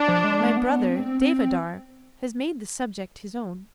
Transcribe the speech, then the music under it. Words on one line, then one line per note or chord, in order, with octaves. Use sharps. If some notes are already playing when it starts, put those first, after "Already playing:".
My brother, Devadhar, has made the subject his own.
Already playing: D4
F3
G#3
A3
B3
C4
C4